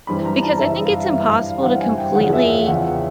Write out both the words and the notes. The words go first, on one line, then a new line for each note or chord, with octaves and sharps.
because I think it's impossible to completely
G2 E3 G3 C4 B5
A#5
A5
G2 E3 G3 C4 E5
E5
F5
E5
G2 E3 G3 C4 E5
F5
F5
G2 E3 G3 C4 F#5
G#5
G5
E2 C#3 F3 F#5
E5
F5
E2 C#3 F3 F#5
G5